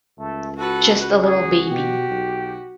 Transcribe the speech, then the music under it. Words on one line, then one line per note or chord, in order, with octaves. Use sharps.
Just a little baby.
C#2 A3
F#4 A4 B4
F#4 G#4
B2 G4
B1